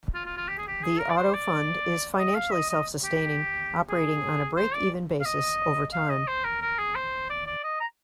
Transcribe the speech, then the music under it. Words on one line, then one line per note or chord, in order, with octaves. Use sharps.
The Auto Fund is financially self-sustaining, operating on a break-even basis over time.
F4
F4
F4
G4
G#4
G4
G#4
A#4
D5
C5
D5
D#5
F5
D#5
D#5
G4
G#4
C5
D5
F5
D#5
F5
D#5
C5
A#4
A#4
G#4
C5
D5
D5
D#5
A#5